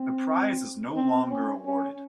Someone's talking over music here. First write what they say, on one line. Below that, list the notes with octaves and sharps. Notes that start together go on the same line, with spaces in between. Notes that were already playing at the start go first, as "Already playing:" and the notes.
The prize is no longer awarded.
Already playing: C4
C4
C#4
C#4